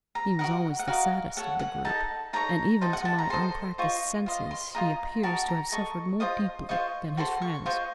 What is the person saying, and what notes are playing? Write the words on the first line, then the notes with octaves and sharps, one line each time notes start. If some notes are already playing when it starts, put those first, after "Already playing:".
He was always the saddest of the group, and even to my unpractised senses, he appeared to have suffered more deeply than his friends.
A#5
F#4 A#4 D#5 F#5
F#5
F#4 A#4 D#5 F5
A4 C#5 F#5
F#5
D#4 A4 D#5 A5
D#4 A4 C#5 A#5
D#4 F#4 C5 D#5 A5
F#5
A5
A#5
A4 C5 D#5 C6
F4 C5 D#5 C#6
F4 C5 D#5
C6
F4 C5 D#5 A#5
F#4 A#4 D#5 A5
A#5
A4 D#5 C#6
F4 C5 D#5 D#6
F4 C5 D#5 C#6
F#4 A4 C5 C6
C#6
F4 C5 D#5 C#6